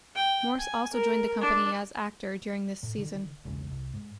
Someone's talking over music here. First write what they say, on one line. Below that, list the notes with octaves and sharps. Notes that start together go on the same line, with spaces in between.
Morse also joined the company as actor during this season.
G5
G#5
A#4
D4
A2
D3 D#3
B1 E2 G#2 C#3
C2
G#2